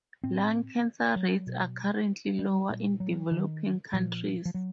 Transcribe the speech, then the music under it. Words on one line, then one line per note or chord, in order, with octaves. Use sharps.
Lung cancer rates are currently lower in developing countries.
A2 C4
F#3
B2
G3
A#2
F#3
D#3
A#2 F3
F3
F#3